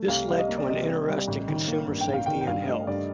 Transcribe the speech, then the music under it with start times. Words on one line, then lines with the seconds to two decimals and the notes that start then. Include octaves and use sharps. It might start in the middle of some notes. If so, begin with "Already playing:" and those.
This led to an interest in consumer safety and health.
Already playing: A3
0.08 C2 F5
0.28 G3 F5
0.38 D#5
0.48 A#3
0.58 D5
0.68 C3 D#5
0.87 C2
1.08 G3
1.28 A1
1.48 D#3
1.68 A#3
1.88 G2
2.01 G5
2.08 A1
2.13 F5
2.26 D#3 G5
2.41 G5
2.47 G2 F5
2.67 A3 D#5
2.87 G2 D5